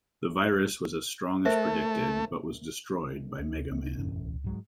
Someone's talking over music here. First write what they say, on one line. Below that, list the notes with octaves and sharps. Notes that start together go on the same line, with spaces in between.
The virus was as strong as predicted, but was destroyed by MegaMan.
A3 A#4 C5 E5
D2
C#2 C4
E1 A1 F#2 C#4
C#2
G#2 F#3 G#3